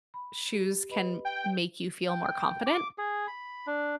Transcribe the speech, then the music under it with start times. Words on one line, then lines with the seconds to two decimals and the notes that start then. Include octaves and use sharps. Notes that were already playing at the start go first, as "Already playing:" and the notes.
shoes can make you feel more confident
0.14 B5
0.53 G4
0.90 B4 D#5 B5
1.25 G5
2.09 G5
2.66 D6
2.98 G#4
3.27 B5
3.67 D4